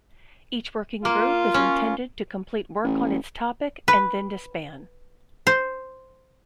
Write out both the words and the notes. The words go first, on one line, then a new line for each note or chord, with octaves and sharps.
Each working group is intended to complete work on its topic and then disband.
A#3 F4
C#4
A1
B4
C5